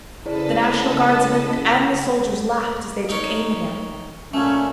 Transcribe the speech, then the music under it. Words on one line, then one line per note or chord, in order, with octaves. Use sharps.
The National Guardsmen and the soldiers laughed as they took aim at him.
C#3 E4 G#4 A4 B4 C5 D5 D#5
D#4 A#4 C#5
A#2 A3 C#4